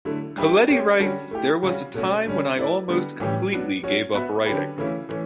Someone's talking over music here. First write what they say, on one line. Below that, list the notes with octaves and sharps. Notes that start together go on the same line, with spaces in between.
Coletti writes, There was a time when I almost completely gave up writing.
D3 F#3 A3 E4
G3 D4 G4 B4 E5
A3 C#4 G4 C#5
D3 G3 C#4 F#4 A4
A3 E4 G4
C#3 G3 C#4 F#4
B2 A3 C#4 F#4
D3 G3 C#4
A3 E4 B4 D5
D3 G3 B3 F#4
A2 E3 G3 C#4 G4
F#3 B3 D4 F#4
F#3 C#4 F#4 C#5
B3 F#4 B4 E5
D3 F#3 C#4 G4 B4
C#3 E3 A3 C#4 E4
E3 A3 C#4